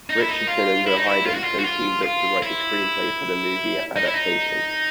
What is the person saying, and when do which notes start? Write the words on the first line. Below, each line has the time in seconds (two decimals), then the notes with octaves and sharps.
Richardson and Verheiden then teamed up to write the screenplay for the movie adaptation.
0.10 D#4
0.20 E4
0.29 D#4
0.48 F4
0.87 E4
0.97 D#4
1.06 E4
1.26 F4
1.35 F#4
1.44 F4
1.59 F#4
1.64 F4
2.03 F4
2.42 E4
3.96 D#4
4.05 E4
4.14 D#4